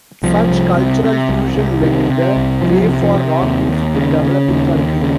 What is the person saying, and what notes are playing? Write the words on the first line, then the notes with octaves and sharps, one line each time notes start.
Such cultural fusion led the way for rock music to develop in Turkey.
C2 F3
C2
C3
C3
C2
C2
C3 D#3
C3
C2
C2 F3
F#3
F3
C3
F3
C3
D#2
D#2
C#3
C#3
D#2
D#2
C#3